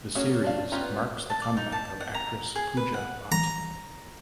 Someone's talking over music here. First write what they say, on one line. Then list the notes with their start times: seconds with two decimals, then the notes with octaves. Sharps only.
The series marks the comeback of actress Pooja Bhatt.
0.15 A3 A#3 C#4 F#4 G#4
0.44 D4 F5
0.72 B3 C#4 F4 G4 A#5
1.30 A5
1.42 D5
1.57 D#4
1.72 A5
2.00 F#5
2.14 A#5
2.56 G#4
2.77 B4
2.94 F#5
3.32 A#5